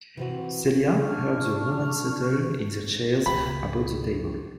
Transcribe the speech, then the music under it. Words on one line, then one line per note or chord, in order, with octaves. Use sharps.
Celia heard the women settle in their chairs about the table.
C3 E3 C4 F#4
D4 C#6 F6
C#2 A#3 B5